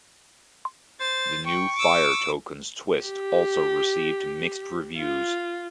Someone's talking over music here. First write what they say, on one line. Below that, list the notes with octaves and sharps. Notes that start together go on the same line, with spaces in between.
The new Fire Tokens twist also received mixed reviews.
C5 A6
G5 C#6
D6 E6
G4
F4